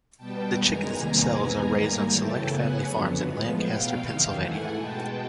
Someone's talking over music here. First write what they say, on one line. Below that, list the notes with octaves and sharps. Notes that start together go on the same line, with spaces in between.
The chickens themselves are raised on select family farms in Lancaster, Pennsylvania.
B2 G3 B3 G5 A5
F#2 D#3 G#3 B3 G#5 A#5
E2 C3 D#3 G3 A#3
E2 B2 G#3 B3
G#2 D#3 G3 A#3 G#5 A#5
F#2 C#3 E3 A3 G5 A5
F#2 C#3 F#3 B3 F#5 G#5
F2 D3 F#3 B3
A2 F3 G#3 B3
B2 F#3 B3 F5 G5
E2 C3 D#3
G#2 E3 A3 F#5 G#5
B2 G#3 B3 G5 A5